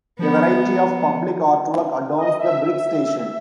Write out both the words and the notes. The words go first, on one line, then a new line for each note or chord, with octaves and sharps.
A variety of public artwork adorns the brick station.
F3 B3
D#5
E5